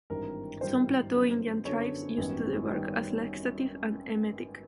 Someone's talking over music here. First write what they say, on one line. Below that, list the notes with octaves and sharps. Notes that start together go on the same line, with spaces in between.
Some Plateau Indian tribes used the bark as a laxative and emetic.
G#1 G2 E3 G3 C4 A#4
G#1 G2 E3 G3 C4 C5
F#2 D3 F#3 B3
F#2 D3 F#3 B3 C#5
G#1 F#2 D#3 G3 B3
D#3 G3 B3